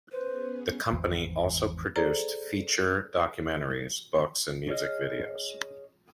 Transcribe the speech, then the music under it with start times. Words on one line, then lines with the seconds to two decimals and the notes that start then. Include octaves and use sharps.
The company also produced feature documentaries, books and music videos.
0.12 B3 C#4 G#4 B4 C5
0.92 G#1 E2 E3 F3
1.96 G#4 A4 C5 D5 A#5
4.68 G#4 C#5 D#5 F6